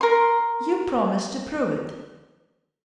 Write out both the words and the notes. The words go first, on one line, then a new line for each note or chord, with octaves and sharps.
You promised to prove it.
A#4 C6